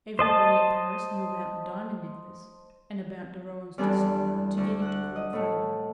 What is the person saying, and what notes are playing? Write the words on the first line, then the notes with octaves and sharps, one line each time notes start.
Everybody at Paris knew about the Diamond Necklace, and about de Rohan's desire to get into court favor.
C5 D#5 A5
E2 G3 C4 D4 A4 G#5
D2
F#5 F#6
D#5
A2 A3